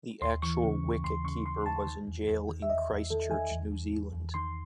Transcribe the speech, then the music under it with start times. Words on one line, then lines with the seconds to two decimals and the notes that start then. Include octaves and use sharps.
The actual wicket-keeper was in Jail in Christchurch, New Zealand.
0.22 D#2 C6
0.42 E3 C#6
0.63 C#3
0.84 D#2
1.04 D#2 C6
1.24 C#3 C#6
1.46 C#3 C6
1.66 D#2 A5
1.87 D#3
2.07 E2
2.28 E2
2.49 D#3
2.62 E5
2.70 E2 D#5
2.90 E2
3.10 D#3 A4
3.31 D#3 G#5
3.51 E2
3.72 E2
3.93 E2
4.13 E2
4.34 D#3 C6